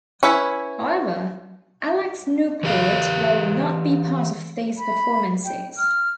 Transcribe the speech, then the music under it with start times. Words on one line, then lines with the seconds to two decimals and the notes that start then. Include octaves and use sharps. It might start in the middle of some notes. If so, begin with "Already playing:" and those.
However, Alex Newport will not be part of these performances.
0.23 C#4 E4 B4 C#5
2.63 E3 G4 F5
4.78 B5
5.45 G5
5.78 F6